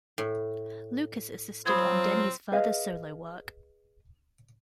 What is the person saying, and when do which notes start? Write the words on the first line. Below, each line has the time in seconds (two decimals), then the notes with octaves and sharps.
Lucas assisted on Denny's further solo work.
0.18 A2
1.66 F3 F#3 C4 F4 B5 D#6 G#6
2.52 G#4 B4 D#5 F5